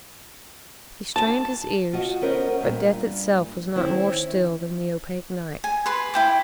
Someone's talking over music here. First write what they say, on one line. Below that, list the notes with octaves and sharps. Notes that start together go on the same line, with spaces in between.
He strained his ears, but death itself was not more still than the opaque night.
A5
F4 F#4 D#5
B3 C#4 A#4 C5 D#5
G2 A#2
D#3 C4 C#4 E4 E5
G#5
B4 C6
E4 G5 D6